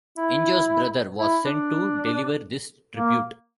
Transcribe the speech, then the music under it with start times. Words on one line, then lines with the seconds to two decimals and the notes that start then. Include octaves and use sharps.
Injo's brother was sent to deliver this tribute.
0.17 E4
1.19 E4
1.45 D4
2.96 A#3